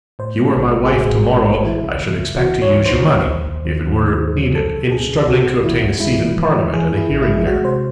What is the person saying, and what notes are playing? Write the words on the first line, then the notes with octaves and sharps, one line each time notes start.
If you were my wife to-morrow I should expect to use your money, if it were needed, in struggling to obtain a seat in Parliament and a hearing there.
A2 C5
G#3
A1
A1
G#4
A2 F#4
A2
G#3
A1
E3 E4
C#3
E3
C#2
E3 F#4
C#2
C#5
E3
C5
C#2
D#2
D#2
D#2
D#3
D#2
D#3
D#2
F#3
C#3 A4
C#2
C#3 G#4
C#3
C#2 F#4
C#2
E3 E4
C#2
G#3 E4
E3
E3
E3
E3 G#4
E3
E4
A1
E4
G#3
G#3 F#4
C3 C5